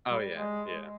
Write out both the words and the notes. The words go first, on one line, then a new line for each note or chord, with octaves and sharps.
Oh, yeah. Yeah.
G3
G#3